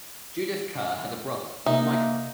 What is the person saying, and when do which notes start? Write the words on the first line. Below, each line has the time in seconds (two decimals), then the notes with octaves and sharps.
Judith Kerr had a brother, Michael.
1.66 C3 A#3 D#4 E5